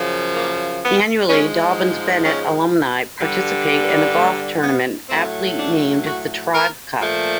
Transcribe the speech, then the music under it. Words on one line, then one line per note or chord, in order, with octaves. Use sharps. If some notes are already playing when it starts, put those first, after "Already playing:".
Annually, Dobyns-Bennett alumni participate in a golf tournament aptly named the "Tribe Cup".
Already playing: F#2 C#3 F3
A#3
B3
G#2 F3 G#3 C#4
C#4
G2 D3 G3
A3
B3
A2 F#3 A3 C4
D4
F#4
A#4
A#2 F3 A3